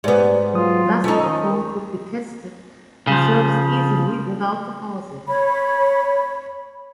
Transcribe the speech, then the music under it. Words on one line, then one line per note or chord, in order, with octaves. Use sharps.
Thus, the phone could be tested and serviced easily without the housing.
G#2 B3 G4 D5
F#3 F4 D#6
G#3 C#4 D#4 F4 A4
D#3 A#5 D#6
C#3 F3
C#5 B5